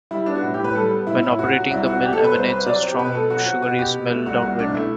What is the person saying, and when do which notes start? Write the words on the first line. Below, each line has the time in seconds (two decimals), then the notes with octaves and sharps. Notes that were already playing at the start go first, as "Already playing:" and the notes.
When operating, the mill emanates a strong sugary smell downwind.
0.11 G3 E4
0.26 B3 D4
0.36 F#4
0.42 A2 E4
0.54 A2 G4
0.64 B4
0.75 G3 A4
0.91 B3
1.07 A2 E4
1.22 A2 E4
1.38 C3 F#4
1.55 F#3
1.60 F#4
1.71 C2 E4
1.86 C4 F#4
2.02 C3 G4
2.13 A4
2.19 F#3
2.24 B4
2.34 C2 C5
2.50 C4 B4
2.66 F#3 D5
2.82 C4
2.88 G4
2.98 B2 B4
3.14 B2 A4
3.30 F#3 F#4
3.46 C4 F#4
3.62 B2 F#4
3.78 B2 G4
3.94 B2
4.10 A3
4.26 C2 F#4
4.42 C2 F#4
4.59 B2 D4
4.74 A3 E4